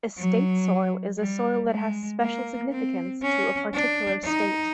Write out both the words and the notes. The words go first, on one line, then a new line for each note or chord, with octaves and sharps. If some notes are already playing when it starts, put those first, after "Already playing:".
A state soil is a soil that has special significance to a particular state.
F#3
G3
G#3
A#3
C4
C#4
D4
D#4